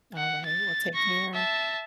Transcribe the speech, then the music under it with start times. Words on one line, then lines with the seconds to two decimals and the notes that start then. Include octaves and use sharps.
Alright. Well, take care.
0.17 F#5
0.46 A6
0.94 C#6 A#6
1.34 E5 A5